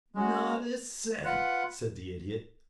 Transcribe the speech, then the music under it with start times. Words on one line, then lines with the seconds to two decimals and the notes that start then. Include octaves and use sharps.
"Not a cent," said the Idiot.
0.15 G#3 C#4 F#4
1.24 F4 B4 F#5